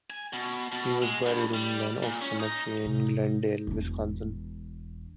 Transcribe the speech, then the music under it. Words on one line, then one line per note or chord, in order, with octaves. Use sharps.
He was buried in Glen Oaks Cemetery, in Glendale, Wisconsin.
G#5
B2
B2
G#3
G2
G3
A#2
C#4
D#4
C3
E1 D4